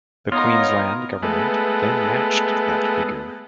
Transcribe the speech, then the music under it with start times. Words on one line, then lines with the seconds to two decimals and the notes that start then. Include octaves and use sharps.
The Queensland Government then matched that figure.
0.32 B3 D#4 F4 A#4 C#5 D#6
1.23 G#3 A3 B3